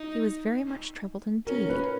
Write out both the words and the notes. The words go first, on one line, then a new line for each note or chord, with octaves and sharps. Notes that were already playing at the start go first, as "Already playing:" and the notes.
He was very much troubled, indeed.
Already playing: D#4
C#4 A#4
B4